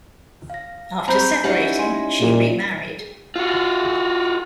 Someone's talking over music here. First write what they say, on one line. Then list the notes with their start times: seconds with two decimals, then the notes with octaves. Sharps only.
After separating, she remarried.
0.50 F5 A#6
1.08 F#3 C4 C5 A#5 B5 G6
1.44 C#4 D#4 E4 G4 D5 E5 F#5 G6
1.79 G#5 C6
2.20 A#2
3.36 F4 F#4